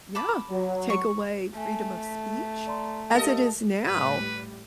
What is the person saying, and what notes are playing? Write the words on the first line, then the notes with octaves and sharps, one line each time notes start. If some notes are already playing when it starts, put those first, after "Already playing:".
Yeah, take away freedom of speech, as it is now,
A5 B5 D6
F#3
C#6
A3 G#5 A5
B6
D5 A#5 C6
G4 A4 A#4 D#5 F5
A2 G3 B4